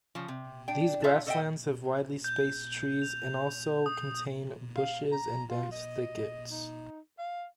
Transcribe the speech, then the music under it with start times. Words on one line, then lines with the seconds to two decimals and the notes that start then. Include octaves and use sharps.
These grasslands have widely spaced trees and also contain bushes and dense thickets.
0.15 C#3 F3
0.28 C3
0.68 D4 G5
1.04 F4 A4 E5 F5
1.27 A4 C5 D#5 E5 F#5 G5
2.24 G6
3.02 F7
3.86 D#6
4.77 F5
5.12 A#5
5.50 F4
5.72 D#5
6.51 D#4
7.19 F5